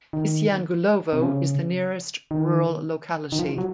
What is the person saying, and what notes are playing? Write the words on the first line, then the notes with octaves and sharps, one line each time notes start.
Isyangulovo is the nearest rural locality.
D#3
C3
C#3
D#3
D#3
F3
F#3